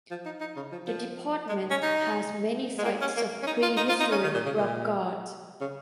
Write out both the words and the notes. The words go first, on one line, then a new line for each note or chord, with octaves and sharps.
The department has many sites of prehistoric rock art.
F3
D#4
D#4
C#3
F3
F3
G#3
C#4
D#4
G#3
A#3
C#4
A#3
C#4
D#4
F4
D#4
F4
D#4
C#4
D#3
A#2
C#3
A#2
C#3